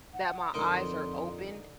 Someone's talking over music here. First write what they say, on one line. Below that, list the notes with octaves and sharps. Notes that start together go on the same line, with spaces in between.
that my eyes are opened,
F#5
F2 D3 D#4 A#4 D#5 C6